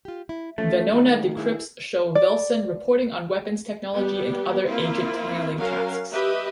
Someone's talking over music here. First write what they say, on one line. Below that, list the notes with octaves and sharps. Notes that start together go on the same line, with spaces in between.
Venona decrypts show Velson reporting on weapons technology and other agent handling tasks.
F4 G4
E4
F3 A3 C#4
D#2 A2 D#3 D#4
E4 G#4
D5
G3 B3 G4
A#3 C4 E4 F4
F#3 C#4 A#4 F5
G4 B4 D#5 E5